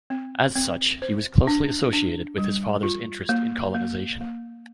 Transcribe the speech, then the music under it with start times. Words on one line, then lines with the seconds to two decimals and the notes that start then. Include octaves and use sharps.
As such, he was closely associated with his father's interest in colonisation.
0.10 C4
0.56 C4
1.02 C5
1.47 D4
1.93 D4
2.38 G3
2.83 F4
3.29 A#3
3.75 A#3
4.21 A#3